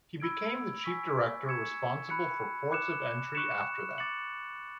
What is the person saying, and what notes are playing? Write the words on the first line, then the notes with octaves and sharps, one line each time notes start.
He became the chief director responsible for ports of entry after that.
B5 E6 G#6 D7
G#5 C#6 E6 B6
C#6 G#6 C#7 E7
B5 F#6 C#7
D6 F#6 C#7 E7
C#6 F#6 C#7 E7
D6 A6 C#7 F#7